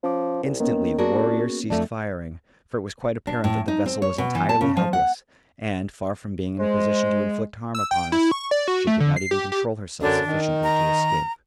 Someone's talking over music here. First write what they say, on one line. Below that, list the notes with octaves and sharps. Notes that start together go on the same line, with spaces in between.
Instantly the warriors ceased firing, for it was quite apparent that the vessel was entirely helpless, and, far from being in a position to inflict harm upon us, she could not even control herself sufficiently to escape.
F3 C#4 D6
C2
D#3 A#3 B3 C#4
D4 F#4 G#4 A#4
F2 A3 D4
D4
A2
D#4
C4
C#5
B2
E3
A5
C#3
F3
F#5
G#3 C5
E6
G5
E4
C#6
D5
F#4
A3
D3
C7
G4
G4
F#2 D3 F#3 D4
D#3
A#5